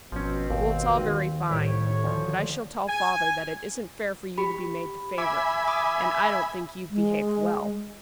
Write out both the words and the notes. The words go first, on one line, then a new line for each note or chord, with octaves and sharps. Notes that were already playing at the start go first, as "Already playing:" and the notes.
"Well, it's all very fine, but I shall tell father that it isn't fair for you to be made the favourite, and I don't think you've behaved well."
G#1 B2 F3 C4 C#4
G#1 D#2
D#3
C2 A2 A3 E4 G4 C#5
D2 F3
G#5
G4 B5
E5 G#5 B5 D6
D6 D#6
G#3